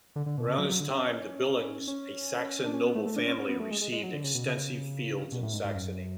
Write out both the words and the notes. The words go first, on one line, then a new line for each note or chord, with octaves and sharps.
Around this time, the Billungs, a Saxon noble family, received extensive fields in Saxony.
D3
D3
B2
C#3
F#3
F#3
D3
C#4
C#4
D4
C#4
B3
A3
A3
D4
C#4
C#4
B3
A3
G#3
G#3
G#3
F#3
D3
C#3
B2
C#3
B2
A2
G#2
G#2
F#2